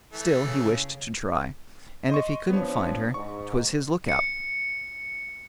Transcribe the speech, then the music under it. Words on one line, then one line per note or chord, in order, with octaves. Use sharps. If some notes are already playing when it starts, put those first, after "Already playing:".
Still he wished to try, and if he couldn't find her, 'twas his look-out.
E3 A3
C#3
D#5 C6 C#6
F3 B3 C4 D4 C#5
G#2 C#6
C#7